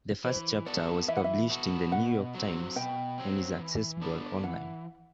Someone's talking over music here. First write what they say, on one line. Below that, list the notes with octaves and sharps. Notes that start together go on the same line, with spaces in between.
The first chapter was published in the "New York Times" and is accessible online.
E3 C5
B3 F#4 A4 D5
E3 E5
F#5
E5
B3 F#4 A4
B2 F#5
F#3 C4
B2 G5
F#3 C4
E3
B3 D4 A4
E3 F#5